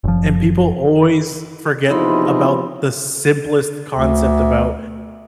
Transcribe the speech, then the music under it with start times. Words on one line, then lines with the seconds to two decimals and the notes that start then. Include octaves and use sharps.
And people always forget about the simplest concept about,
0.04 F#1 F3
1.90 E2 C3 F3 D#4 E4 B5 C6
3.97 D2